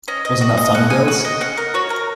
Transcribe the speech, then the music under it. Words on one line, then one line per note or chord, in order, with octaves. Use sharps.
Wasn't that fun, girls?
C#4 D#5
D#5
F#4 D#5
D#5
C#4 F#5
G#5
F#4 F#5
D#5
C#4 F#5
A#4
F#4 C#5
A#4